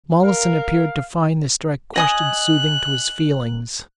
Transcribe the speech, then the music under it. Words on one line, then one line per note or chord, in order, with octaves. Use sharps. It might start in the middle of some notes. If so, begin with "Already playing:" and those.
Mollison appeared to find this direct question soothing to his feelings.
A#4 F5
D#5 G#5 D#6 F#6